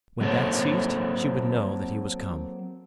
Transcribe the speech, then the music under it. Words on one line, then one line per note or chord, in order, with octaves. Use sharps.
When that ceased she would know that he was come.
F#3 A#3 C4 A4 C5 C#5